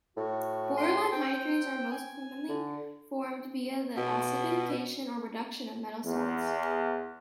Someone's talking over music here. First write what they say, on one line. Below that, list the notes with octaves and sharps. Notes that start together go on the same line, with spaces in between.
Borderline hydrides are most commonly formed via the acidification or reduction of metal salts.
A2 F#4
C6
C4 G5
G#5
D3
B2
E2